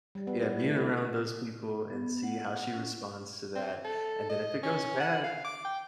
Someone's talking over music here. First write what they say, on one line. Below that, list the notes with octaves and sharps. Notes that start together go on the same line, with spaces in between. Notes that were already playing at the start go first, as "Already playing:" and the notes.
yeah, being around those people and see how she responds to that, and then if it goes bad
G3
B3
E4
A3
E4
B3
F#5
F#5
C#4
C4
A4
D#5
C#4
F#5
F5
D6
G5